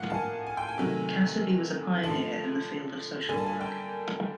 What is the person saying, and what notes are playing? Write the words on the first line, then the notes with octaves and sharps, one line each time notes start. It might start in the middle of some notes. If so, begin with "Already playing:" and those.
Cassidy was a pioneer in the field of social work.
Already playing: A2 F3 A#3 F5 F#5
A5
G#5
G#5
G5
G#5
C3 D#3 F#3 A3
D3 F3 A3 A5
D3 G3 A#3 G#5
A5
G#5
G5